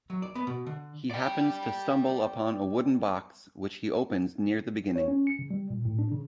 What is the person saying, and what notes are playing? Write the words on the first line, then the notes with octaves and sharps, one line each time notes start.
He happens to stumble upon a wooden box, which he opens near the beginning.
F#3
D5
B3
B2
D3
D5 G5
C#5
C#4
C#7
C#3
G3
A#2
A2
D4
C#3